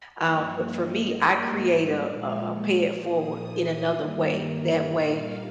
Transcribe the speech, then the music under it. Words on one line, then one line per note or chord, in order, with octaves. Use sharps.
um, but for me, I create a a a pay-it-forward, in another way. That way,
G2 F3 A#3 C#5
D#5
G#2 G3 A#3
A#2 F3 G#3 F5
C#6
A#2 F3 A#3 D#6
G2 D#3 G3 A#3
A#5
A#2 G3 A#3 F5